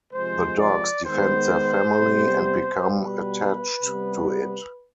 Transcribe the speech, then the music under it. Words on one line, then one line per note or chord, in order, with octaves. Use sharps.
The dogs defend their family and become attached to it.
C3 F3 G#3 C5
D5
D#3 G#3 B3 C5
C3 G3 B3
B2 G3 B3 B4
C3 G3 B3